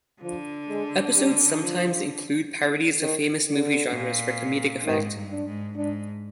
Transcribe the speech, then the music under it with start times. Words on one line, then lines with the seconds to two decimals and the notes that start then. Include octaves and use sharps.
Episodes sometimes include parodies of famous movie genres for comedic effect.
0.22 D3 F3
0.69 G#3
1.15 G3
1.61 F3
3.00 D#3
3.47 D3
3.92 A#2
4.84 G#2 D#3
5.15 G2
5.31 D4
5.46 G#2
5.76 G#2 D4